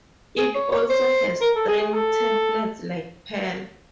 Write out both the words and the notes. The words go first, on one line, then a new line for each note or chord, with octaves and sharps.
It also has string templates like Perl.
G#4
C#5
C#5
C5
A#4
A4
G#4
G#4
A4